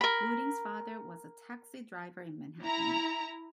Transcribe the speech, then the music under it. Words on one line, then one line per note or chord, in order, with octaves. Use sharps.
Gooding's father was a taxi driver in Manhattan.
A#4 B5
E4 A#5